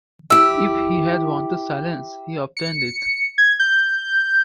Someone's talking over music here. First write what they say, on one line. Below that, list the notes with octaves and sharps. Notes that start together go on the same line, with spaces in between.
If he had wanted silence he obtained it.
E4 G4 E6
C#7
G#6
G6